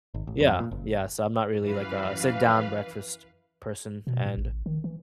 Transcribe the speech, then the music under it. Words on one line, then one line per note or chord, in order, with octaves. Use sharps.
Yeah, yeah, so I'm not really, like, a sit-down breakfast person, and
G#1
A1
F2
A#2
F#1
F#2 E3 B4 F5
B2
A2
A1
D#3
E3